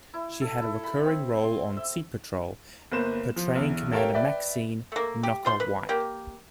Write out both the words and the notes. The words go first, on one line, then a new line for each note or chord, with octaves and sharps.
She had a recurring role on "Sea Patrol" portraying Commander Maxine "Knocker" White.
E4
A4
E4
B5
C4
C6
E5
G1 A#3 B4 C5 E7
F3
B1 E2
G4 A4 A#4 C#5 F5 G5
B4 D5 E5 G5
A3 A#3
G4
F4 C5 C6
B4
A#3 G4